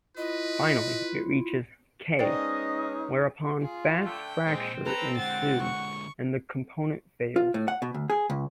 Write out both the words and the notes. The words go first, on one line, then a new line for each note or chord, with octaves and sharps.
Finally it reaches "K", whereupon fast fracture ensues and the component fails.
E4 F4 B4 D#5
G#3 B3 C#4 D#4 C5 D5 D#5 G5
F4 G#4
D3 A3 G5
A#2 G#3 C4 C5
A4 B4 A#5
D3 G#3 F#5 A6
C#6
F4
A2
F#5
B2
D2
G#4
C#2